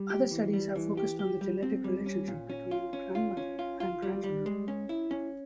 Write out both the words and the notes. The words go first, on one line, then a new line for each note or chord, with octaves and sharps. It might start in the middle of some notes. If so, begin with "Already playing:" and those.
Other studies have focused on the genetic relationship between grandmothers and grandchildren.
Already playing: G3
G4
E3
G3
E3
G4
G4
G3
C4
G3
C#4
A#2
C#4
F4
C#4
F4
C#4
F4
F4
G3
G3
G#3
C#4
E4
C#4